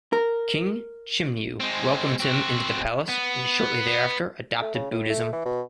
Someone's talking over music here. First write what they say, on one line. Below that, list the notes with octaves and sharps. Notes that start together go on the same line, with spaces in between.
King Chimnyu welcomed him into the palace, and shortly thereafter adopted Buddhism.
A#4
G#3 C4
C4 F#4
B3
A3
C#3
A2
A3
E3
B2